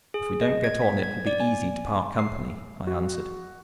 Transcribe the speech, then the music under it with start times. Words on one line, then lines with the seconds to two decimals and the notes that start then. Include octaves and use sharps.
"If we don't get on it will be easy to part company," I answered.
0.14 G#4
0.41 D#5
0.64 G#6
0.82 B6
1.03 G#6
1.27 D5
1.40 G#5
2.19 C7
2.87 F#4